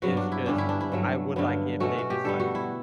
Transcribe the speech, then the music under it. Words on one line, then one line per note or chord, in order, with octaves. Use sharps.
is just, I would like if they just, like
G2 F#3 B3 F#4
D4
E4
G2 D3 G3 C#4 D4
E4
D4
E4
G2 F#3 A3
G2 D3 F#3 B3
B2 A3 C#4 F#4
F#4
G4
D3 G3 B3 A4
F#4
E4